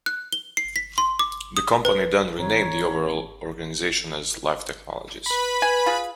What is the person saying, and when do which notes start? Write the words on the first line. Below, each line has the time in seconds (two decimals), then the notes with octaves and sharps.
The company then renamed the overall organization as Life Technologies.
0.06 F#6
0.32 G7
0.57 C7
0.76 B6
0.98 C6
1.19 D6
1.57 D#6
1.85 B4
2.39 G#2 E3 C4 C#5 A#5
5.26 B4 B5
5.62 G#5
5.86 F4 G#4